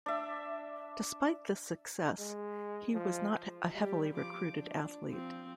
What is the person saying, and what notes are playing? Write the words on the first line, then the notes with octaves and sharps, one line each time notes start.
Despite this success, he was not a heavily recruited athlete.
D4 E5
G#3
F3
G3 G4
F3 D6
D4
F3 C4